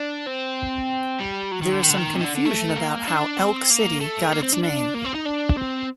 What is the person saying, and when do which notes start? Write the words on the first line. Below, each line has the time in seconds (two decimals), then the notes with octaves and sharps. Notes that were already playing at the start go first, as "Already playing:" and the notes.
There is some confusion about how Elk City got its name.
Already playing: D4
0.27 C4
1.20 G3
1.51 F#3
1.62 D#3
1.72 D3
1.83 D#3
1.90 D3
1.98 D#3
2.14 C3
2.21 D#3
2.24 D3
2.35 D3
2.45 A3
2.76 A#3
3.07 D4
3.38 C4
3.70 A#3
4.01 A3
4.32 A#3
4.43 C4
4.53 D4
4.63 D4
4.94 A#3
5.05 C4
5.15 D#4
5.26 D4
5.57 C4